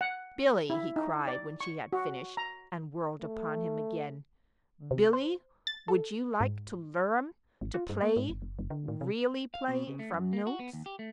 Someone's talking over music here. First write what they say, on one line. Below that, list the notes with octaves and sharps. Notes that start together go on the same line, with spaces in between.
"Billy," he cried, when she had finished and whirled upon him again, "Billy, would you like to learn to play--really play from notes?"
F#5
E4
D#4
D5
C#6
F#4
A#5
A3
C3
C5
A6
A4
G#2
G#1
F4
G2
A#3
G#2
G1
F#1
F#1
D3
A2
C3
F5
B2
C#3
A3
F#2
A#3
F#4
B3
D#2
G4
A3